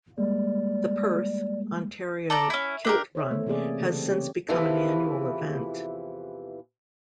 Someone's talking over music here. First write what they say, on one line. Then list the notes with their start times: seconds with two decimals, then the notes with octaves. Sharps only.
The Perth, Ontario, Kilt Run has since become an annual event.
0.18 G3 G#3 A#3 D5
2.30 A4 D5 A5 A#5
2.50 C#4 E4
2.85 D4 G4 A#4
3.15 C5 C#5 E5
3.31 A3 B3
3.46 C3 E3 A#3 B3 G#4 D5
3.81 C#3 E3 C4 A4
4.12 G4 C#5
4.49 E2 C3 E3 F3 E4 A4